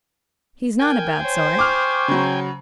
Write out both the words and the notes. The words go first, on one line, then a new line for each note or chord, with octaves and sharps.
He's not a bad sort.
A#4 G5 G#5
C5 C#5
C#6 D6 F6
C#3 F#3